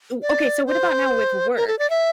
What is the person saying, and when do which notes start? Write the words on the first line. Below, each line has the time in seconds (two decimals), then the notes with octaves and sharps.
ooh, okay, so what about now with work?
0.22 D5
0.67 C5
1.57 A#4
1.68 A4
1.79 D5
1.90 E5